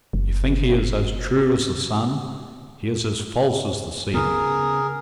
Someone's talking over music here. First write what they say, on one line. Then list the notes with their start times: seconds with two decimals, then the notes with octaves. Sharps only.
You think he is as true as the sun--he is as false as the sea.
0.13 F#1
4.14 C#3 B3 G#4 A#4